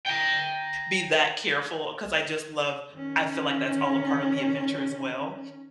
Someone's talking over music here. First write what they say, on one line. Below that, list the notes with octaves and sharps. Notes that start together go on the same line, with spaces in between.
be that careful 'cause I just love I feel like that's all a part of the adventure as well,
G5 A#5
D#3 C#4